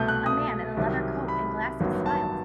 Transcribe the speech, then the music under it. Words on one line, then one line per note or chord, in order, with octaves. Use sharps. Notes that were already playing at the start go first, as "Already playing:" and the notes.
A man in a leather coat and glasses smiles.
Already playing: C2 B2 A3 G6
F#6
D#6
C2 C3 D#3 F#3
B5
A1 G2 D#3 F#3 B3
A5